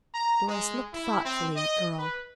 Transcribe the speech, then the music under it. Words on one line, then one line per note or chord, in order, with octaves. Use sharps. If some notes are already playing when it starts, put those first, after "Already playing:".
Doris looked thoughtfully at Earle.
A#5
G#3
E4
C4
D#5
B4